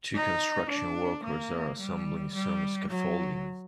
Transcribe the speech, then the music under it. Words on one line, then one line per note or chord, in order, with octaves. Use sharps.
Two construction workers are assembling some scaffolding.
D#4
D4
A#3
G3
G3
F#3